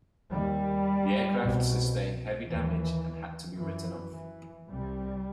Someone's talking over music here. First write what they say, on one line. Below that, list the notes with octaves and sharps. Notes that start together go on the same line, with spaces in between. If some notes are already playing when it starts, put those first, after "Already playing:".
The aircraft sustained heavy damage and had to be written off.
D#2 G3
C2 B2
D#2 E3
F#2 E3
E3
C2 C3 G3